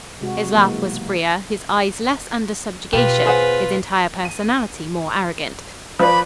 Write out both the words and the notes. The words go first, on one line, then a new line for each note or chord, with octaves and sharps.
His laugh was freer, his eyes less under subjugation, his entire personality more arrogant.
C3 G#3 F#4
B2 E3 F#3 G#3 A#3
B2 F4 G4 B4
G#4 C5 F#5
D#7
F3 B4 D5 B5